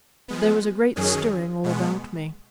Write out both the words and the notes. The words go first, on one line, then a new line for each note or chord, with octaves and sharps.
There was a great stirring all about me.
F3 G#3 B3
F#2 D#3 F#3 C#4 G#4
B2 G#3 B3